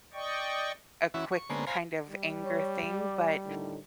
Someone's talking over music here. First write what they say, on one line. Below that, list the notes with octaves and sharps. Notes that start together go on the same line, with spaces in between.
a quick kind of anger thing, but
D5 D#5 G5 C#6
E3 C#4 E4 F#4
C#6
D3 G#3 A#3 B3 C#4 C5
C5 F5 G#5 A#5 B5
G3
C#5
D5
A2 D3 D#3